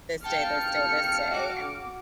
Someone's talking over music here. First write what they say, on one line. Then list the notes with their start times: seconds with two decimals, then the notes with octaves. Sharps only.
this day, this day, this day," and
0.24 F5 G5 A5 F6 C#7
1.31 F#4 D6